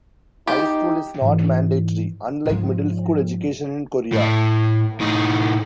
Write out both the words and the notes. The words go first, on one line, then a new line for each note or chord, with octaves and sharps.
High school is not mandatory, unlike middle school education in Korea.
D#4 G4
G#2 E3
G#2 F3
A2
A2 D#4